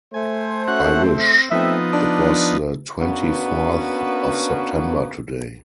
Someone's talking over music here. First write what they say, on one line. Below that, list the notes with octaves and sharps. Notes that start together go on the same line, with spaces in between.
I wish it was the twenty-fourth of September today.
A3 C5 G#5
C#4 F#4 F#5
C4
F3 A3 B3 C4 D#4 E5
D4
A#3 B3 C#4 D4 F#4 B4